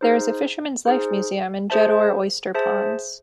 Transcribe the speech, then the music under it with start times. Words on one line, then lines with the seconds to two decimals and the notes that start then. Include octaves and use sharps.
There is a Fisherman's Life Museum in Jeddore Oyster Ponds.
0.01 D#4 G#4 C5
0.85 D#4 G#4 C5
1.70 G#4 C5 E5 A5
2.54 G#4 C5 E5 A5